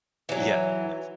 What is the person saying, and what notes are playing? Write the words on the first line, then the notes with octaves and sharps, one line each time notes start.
Yeah. Yes.
E3 F#3